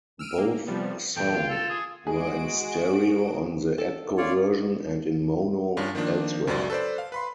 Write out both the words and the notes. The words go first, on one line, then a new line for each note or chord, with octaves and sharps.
Both song were in stereo on the Atco version and in mono elsewhere.
E6 F6 D7 D#7
A#3
C3 F3 G3 B3
E2 A#2 A4 G5
F4
A4
G#4
G#3 F#4 G#4 D7
A4
F4 C#5 D5
G2 C#4 D4 F4
D#3 F3 A#3 D4
C#2 F#2 F#3 D5 A6
A4 B4 C5 D5
F5
B4 B5 C6